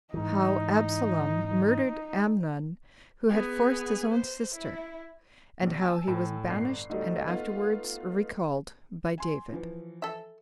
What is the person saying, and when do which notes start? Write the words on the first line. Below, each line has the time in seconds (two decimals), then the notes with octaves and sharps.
How Absalom Murdered Amnon, Who Had Forced His Own Sister; And How He Was Banished And Afterwards Recalled By David.
0.14 G#2 E3 D#4
3.29 B3 G#4
4.13 C5
4.55 E4
5.61 A#1 C3
5.81 G#5 A5 E6
6.08 A2
6.48 G1 C7
6.90 D2 F#3 G3 A3 D#4
7.27 B3 F4
9.18 G#5 C6
9.52 E3 F3
10.02 A4 E5